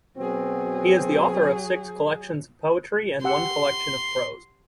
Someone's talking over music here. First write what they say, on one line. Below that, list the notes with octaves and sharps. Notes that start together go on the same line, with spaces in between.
He is the author of six collections of poetry and one collection of prose.
B2 F#3 B3 C4 G#4
G4 F#5 C6 E6